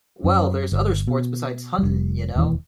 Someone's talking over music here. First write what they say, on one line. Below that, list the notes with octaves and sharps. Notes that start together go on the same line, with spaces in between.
Well, there's other sports besides huntin', ya know!
F#2
G1
B2
F1 G3
E1 D#2 D3 E3